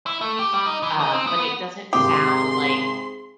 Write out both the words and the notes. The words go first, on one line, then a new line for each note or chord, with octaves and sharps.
Um, but it doesn't sound like
E4
A3
G4
G3
D#4
E3
D#4
C4
B3
B3
G#1 C3 C4 G4 G#4 C6 D#6